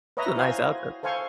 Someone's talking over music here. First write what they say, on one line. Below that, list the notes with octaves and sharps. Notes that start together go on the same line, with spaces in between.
It's a nice outfit.
B4 C#5 D#5 E5 A#5
E4 F#4 C5 F5 G#5
A4 C5 F5 G#5 C#6